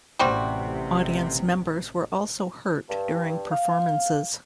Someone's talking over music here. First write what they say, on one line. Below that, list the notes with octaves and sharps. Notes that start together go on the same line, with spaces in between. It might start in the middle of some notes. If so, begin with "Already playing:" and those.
Audience members were also hurt during performances.
A1 C3 G3 C4 F#4
G2
F5